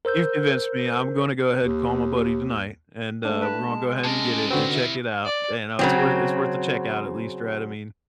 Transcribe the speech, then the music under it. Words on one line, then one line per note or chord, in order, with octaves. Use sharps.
You've convinced me. I'm gonna go ahead and call my buddy tonight, and, uh, we're gonna go ahead and get it and check it out, and, uh, it's worth it's worth to check out at least, right? I mean
A#4 C5 E6 G6
D#2
A3 D4
B4 A5
G#3
C3 C#4 A#4 A5
D3 C4 F#4 B4
E4
D5
C#3 F#3 C4